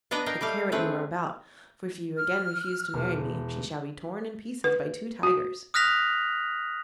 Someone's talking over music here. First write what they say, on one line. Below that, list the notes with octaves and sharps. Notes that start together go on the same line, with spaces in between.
Take care what you are about, for if you again refuse to marry me she shall be torn in pieces by two tigers.'
B3 D4 B4 D#5 A#5
A#4 D#5 F5 G5
G3 A3 G4 F5
A3 C4 C#4 G#4 B4
F6
E1
B4
F#4
D#6 F6 F#6 A#6 B6 F7